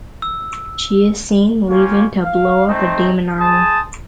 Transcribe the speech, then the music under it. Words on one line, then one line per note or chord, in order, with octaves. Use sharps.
She is seen leaving to blow up a demon army.
E6
A#3 C#4 F4 G4
F5
A3 C4 D#4 C5
G#4 C5 A5 D#6